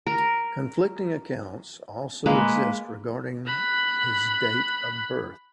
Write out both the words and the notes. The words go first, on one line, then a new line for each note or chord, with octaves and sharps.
Conflicting accounts also exist regarding his date of birth.
A#4
G#3 A#3 B4
B5 F#6